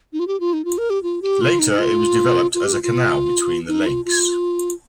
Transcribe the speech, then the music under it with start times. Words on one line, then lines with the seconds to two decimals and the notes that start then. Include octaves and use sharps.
Later it was developed as a canal between the lakes.
0.13 D#4
0.19 F4
0.28 G4
0.40 F4
0.53 D#4
0.65 F4
0.78 A#4
0.90 G4
1.03 F4
1.22 G4
1.41 F4
1.59 D#4
1.79 F4
2.54 F4
2.64 G4
2.73 F4
2.83 F4
3.68 D#4
3.86 F4
4.05 F4